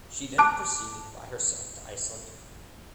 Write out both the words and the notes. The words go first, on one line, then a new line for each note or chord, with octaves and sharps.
She then proceeded by herself to Iceland.
A5 D6 F#6